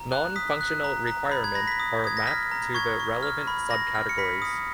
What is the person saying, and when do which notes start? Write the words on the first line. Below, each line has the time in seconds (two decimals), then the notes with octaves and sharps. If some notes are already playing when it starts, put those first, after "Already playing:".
Non-functional requirement are mapped to the relevant sub-categories.
Already playing: A#5
0.12 F#6
0.36 D#6 B6
0.61 F#6
0.84 A#5
1.07 A#5
1.31 B5
1.44 G#6
1.55 B5 A#6
1.68 B6
1.80 D#6
2.04 D#6 G#6
2.17 A#6
2.27 F6 B6
2.52 A#5
2.75 C#6 G#6
3.00 C#6
3.23 F6
3.47 B5
3.70 B5 A#6
3.95 F6
4.09 C#7
4.18 B5 B6
4.42 D#6